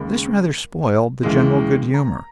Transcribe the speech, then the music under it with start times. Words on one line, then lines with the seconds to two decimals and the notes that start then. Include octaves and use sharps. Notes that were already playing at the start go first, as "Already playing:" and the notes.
This rather spoiled the general good humor.
Already playing: D#2 C#3 G#3 B5
1.23 D#2 C#3 E3 G#3
1.94 A#5